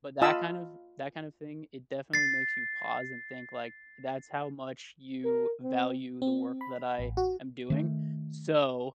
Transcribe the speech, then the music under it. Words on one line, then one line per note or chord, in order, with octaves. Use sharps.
but that kind of that kind of thing, it definitely makes you pause and think, like, "That's how much you value the work that I am doing. So,
F4 D#5 F5 A5 B5 E6
A6 C7
A#4
C4
C4
B5
A1
F#4
D#3 A3